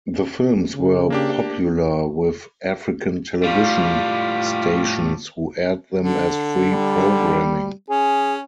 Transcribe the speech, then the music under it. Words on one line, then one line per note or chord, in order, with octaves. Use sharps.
The films were popular with African television stations, who aired them as free programming.
C#3
A#3 D4 G4
A2 G3 F4
D3
G3
C#4 G#4